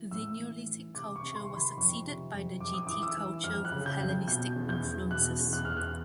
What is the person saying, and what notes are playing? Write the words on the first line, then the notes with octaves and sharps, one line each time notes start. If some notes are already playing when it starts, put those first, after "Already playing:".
The neolithic culture was succeeded by the Getae culture with Hellenistic influences.
Already playing: E3
A2 E6
E3
E3
C3 D6
C#6
C3
C6
D#3
B5
F2 C#6
C3
F2
F2 D6
D#6
E3 D6
E6
E3
F2 F6
F#6
C#3
G6
F2
B2 G6
E2
G6
E2
B2 F#6
E2
F#6
E2 F6
F#6